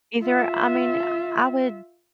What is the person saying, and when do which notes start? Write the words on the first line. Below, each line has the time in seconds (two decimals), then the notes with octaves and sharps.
Either I mean, I I would
0.22 F4 E5